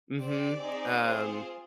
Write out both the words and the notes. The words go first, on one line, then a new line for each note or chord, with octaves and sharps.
Mhm, um,
C4 G4 D5
C4 D#4 G#4
C4 F4 G#4 C5